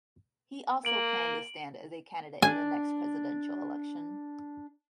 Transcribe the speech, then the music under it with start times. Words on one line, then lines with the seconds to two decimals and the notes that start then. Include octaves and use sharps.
He also planned to stand as a candidate in the next presidential election.
0.85 A#3 D7 F#7
2.42 D4 G#5